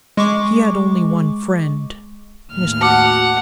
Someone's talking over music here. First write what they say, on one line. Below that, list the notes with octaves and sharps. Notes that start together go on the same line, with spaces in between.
He had only one friend--Mr.
G#3 C#6 D6
D#2 A2 F6
F#4 F#5 A5 D6